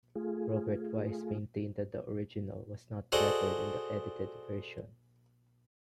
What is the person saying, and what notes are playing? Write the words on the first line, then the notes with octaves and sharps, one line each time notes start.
Robert Wise maintained that the original was not better than the edited version.
A3 F4 G#4
F#4 G#4 A4 C5 D5 D#5